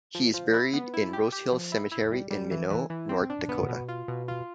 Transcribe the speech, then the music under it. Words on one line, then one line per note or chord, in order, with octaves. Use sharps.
He is buried in Rosehill Cemetery in Minot, North Dakota.
F3
F3
E4
B3
E4
G4
G4
F3
E4
E4
G3
G3
E3
E3
E3
C4
D4
B3
B2
F4
B2
F4